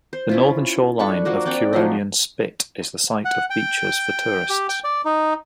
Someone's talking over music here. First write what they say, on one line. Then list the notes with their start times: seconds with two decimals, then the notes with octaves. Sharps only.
The northern shoreline of Curonian Spit is the site of beaches for tourists.
0.13 C5
0.29 C#4 E4 F4
0.99 D4 A4 B5 C#6
1.25 F3 A#3 F#4 A#4
1.45 C4 D5 F#5 G5
1.73 F3 F#3 D#4
3.25 F#5
3.50 G5
4.50 G4
4.69 G5
4.84 D5
5.05 D#4